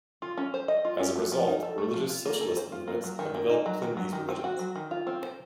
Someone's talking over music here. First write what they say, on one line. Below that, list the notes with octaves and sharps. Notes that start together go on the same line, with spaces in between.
As a result, religious socialist movements have developed within these religions.
F4
C#4
C5
D#5
F4
C#4
A3
F3
D#4
A4
A3
F3
F4
A#3
A4
C5
F4
A#3
F#3
D#3
A#3
D#4
F#3
D#3
F#3
D#3
C4
F#4
F#3
D#3
F4
C4
C5